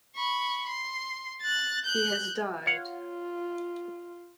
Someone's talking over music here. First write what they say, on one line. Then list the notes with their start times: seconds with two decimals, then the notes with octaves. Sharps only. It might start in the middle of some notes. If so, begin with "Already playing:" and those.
He has died.
0.16 B5 C#6
0.69 C6
1.42 F#6 A6
1.85 F#6 G6
2.66 F4 C#5 F5 F#5